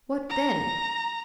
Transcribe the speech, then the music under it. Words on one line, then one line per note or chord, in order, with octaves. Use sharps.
What then?
A#5